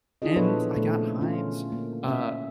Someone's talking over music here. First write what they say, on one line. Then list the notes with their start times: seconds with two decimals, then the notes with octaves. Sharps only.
And I got hives, uh,
0.22 D4 E4 F4 G#4 D#5
0.36 A#2 F3 B3 A4 B4 C#5
0.76 A#2 C#3 A3 A4
1.20 D3 C#4 F4
1.72 A#3
2.06 C#4 E5